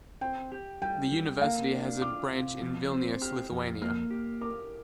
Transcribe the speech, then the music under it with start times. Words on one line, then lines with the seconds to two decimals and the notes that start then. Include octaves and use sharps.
The University has a branch in Vilnius, Lithuania.
0.21 C4 G5
0.52 G4
0.82 G3 G5
1.12 G3
1.41 A#3 F5
1.71 D4
2.01 F4 D6
2.31 C3
2.62 F3
2.91 C4
3.21 G4 F6
3.51 F2
3.81 A#3 F6
4.11 G4
4.41 A#4 D6